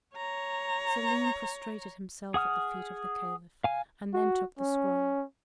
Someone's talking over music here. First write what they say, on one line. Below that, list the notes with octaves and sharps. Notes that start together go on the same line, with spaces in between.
Selim prostrated himself at the feet of the Caliph, and then took the scroll.
C#5 A#5
G#4 F#5 D#6 F6
F5 G#5
F#4
C#4